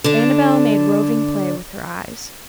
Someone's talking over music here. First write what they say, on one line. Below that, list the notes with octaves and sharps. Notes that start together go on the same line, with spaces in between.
Annabel made roving play with her eyes.
D3 D4